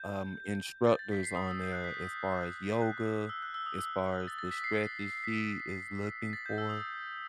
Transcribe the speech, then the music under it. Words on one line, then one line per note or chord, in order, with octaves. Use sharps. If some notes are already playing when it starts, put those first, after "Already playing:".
um, instructors on there as far as yoga, as far as the stretches she is looking for,
Already playing: G6
A6
A6
B6
C7
D#6
E6
G6
F#6
B6
G6
F#6
E6
F#6
E6
D#6
E6
A6
A6
B6
C7
B6
B6
A6
G6
E6
D#6